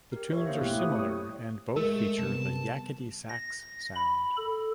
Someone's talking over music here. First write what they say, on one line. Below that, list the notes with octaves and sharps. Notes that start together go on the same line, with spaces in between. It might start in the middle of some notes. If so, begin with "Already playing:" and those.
The tunes are similar, and both feature the "yakety sax" sound.
G4 A#4
C#5 E5
E3 A#3 C5 F5
B2 A3 E4 G4 F#6
D#6
C#5 C#6 D#6
G#3 A3 A#4
C3 G3 B3 A5
A#6
B5
A4